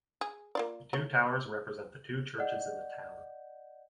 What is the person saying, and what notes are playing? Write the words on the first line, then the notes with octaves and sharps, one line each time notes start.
The two towers represent the two churches in the town.
G#4
A#3 F4 D5
A3 C#5
D5 D#5 F#5 G6